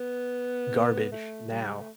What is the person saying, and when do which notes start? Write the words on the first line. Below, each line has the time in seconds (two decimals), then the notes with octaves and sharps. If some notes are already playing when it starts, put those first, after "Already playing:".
Garbage now."
Already playing: B3
1.12 A3
1.51 G3
1.80 A3